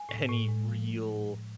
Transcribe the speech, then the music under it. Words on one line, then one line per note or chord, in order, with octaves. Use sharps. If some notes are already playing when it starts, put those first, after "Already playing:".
any real
Already playing: G#5
A2
A2
G#3
F3